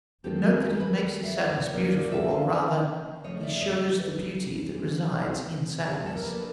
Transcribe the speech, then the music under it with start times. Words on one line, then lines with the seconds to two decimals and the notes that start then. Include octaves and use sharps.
But note that he makes his sadness beautiful; or, rather, he shows the beauty that resides in sadness.
0.24 D#3 F#3 A3 C4 G4 A4
0.43 F#4 G#4
0.61 G#4 A#4
0.80 A4 B4
1.23 E5
1.36 D#5
1.49 D5
1.61 C#5
1.74 F3 A#3 C#4 A#4 C5
1.93 C5 D5
2.11 D5 E5
2.30 D#5 F5
2.49 D5 E5
3.24 C#3 F3 A3 C#5 D#5
3.43 D5 E5
3.61 C#5 D#5
3.99 A4 B4
4.74 E3 G#3 C4
5.87 G4
5.97 G#4
6.06 A4
6.16 A#4
6.24 F3 A#3 D4 A4 B4